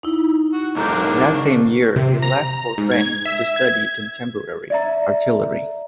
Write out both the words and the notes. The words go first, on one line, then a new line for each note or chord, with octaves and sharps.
That same year, he left for France to study contemporary artillery.
D#4 E4
F#4
B1 G#2 A#3 D4 D5 A#5 G6
C#3 C#6
C3
A#5
G#2
G#6
E5
G#6
D5 E5 A#5